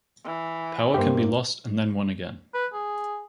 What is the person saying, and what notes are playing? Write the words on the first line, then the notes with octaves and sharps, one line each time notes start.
Power can be lost and then won again.
E3
G2 A#3 G4 C5
B4
G#4